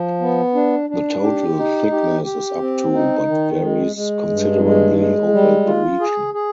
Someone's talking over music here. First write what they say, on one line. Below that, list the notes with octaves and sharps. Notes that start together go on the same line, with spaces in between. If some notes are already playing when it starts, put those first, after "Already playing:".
The total thickness is up to but varies considerably over the region.
Already playing: F3
B3
D4
D4
G4
D#4
G4
G4
C4
D#4
D#3
G#3
G#3
G2
G#3
G#3
G3
F4
G#4
G#4